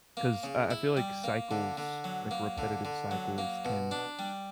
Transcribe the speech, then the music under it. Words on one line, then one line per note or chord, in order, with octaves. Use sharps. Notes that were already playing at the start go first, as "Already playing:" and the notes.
'Cause I I feel like cycles, like repetitive cycles can
A#3
C#3
E4
G3
A#3
D3
D3
F#3
A#3
D3
D3
F#3
A#3
B2
D4
G3